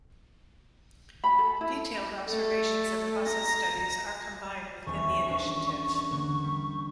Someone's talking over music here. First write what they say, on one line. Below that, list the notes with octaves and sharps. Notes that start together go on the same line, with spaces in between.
Detailed observations and process studies are combined within the initiative.
B5
A4
E4
A3 A4
A#5 A#6
D#1 E2 B3 C#6
C#4 D4 A#4
D3 A#3
G3